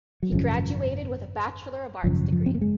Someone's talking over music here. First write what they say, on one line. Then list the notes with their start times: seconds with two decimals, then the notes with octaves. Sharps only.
He graduated with a Bachelor of Arts degree.
0.23 F#3
0.31 G#1 F#2 C#3 F3
2.04 G#1 F#2 C#3 F3
2.32 F3
2.46 C4
2.55 A#3
2.61 G#3